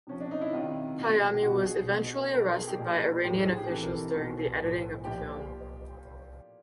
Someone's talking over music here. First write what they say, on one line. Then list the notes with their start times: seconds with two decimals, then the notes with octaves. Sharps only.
Payami was eventually arrested by Iranian officials during the editing of the film.
0.07 C3 F3 C#4
0.20 D4
0.31 D#4
0.41 E4
0.53 C3 D#3 F4
0.98 B2
1.34 G4
1.43 B2 F#4
1.66 G#4
1.89 B2
2.34 B2 A#4
2.44 A4
2.57 G#4
2.67 G4
2.78 A#2 F3
3.24 A2 F3 G4
3.35 G#4
3.47 G#4
3.58 G4
3.69 C3 E3 A4
3.83 A#4
3.92 A4
4.15 B2
4.60 A2 F3
5.05 A#2 F3 G4